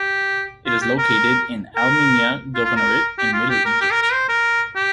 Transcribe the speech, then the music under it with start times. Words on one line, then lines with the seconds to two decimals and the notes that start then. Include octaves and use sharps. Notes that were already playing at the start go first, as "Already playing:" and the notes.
It is located in Al Minya Governorate in Middle Egypt.
Already playing: G4
0.66 F4
0.82 G4
0.98 A#4
1.76 A#4
2.55 F4
2.65 F4
2.76 A#4
3.18 G4
3.34 F4
3.50 G4
3.66 A#4
3.81 G4
3.91 A#4
4.02 A#4
4.13 C5
4.29 A#4
4.75 G4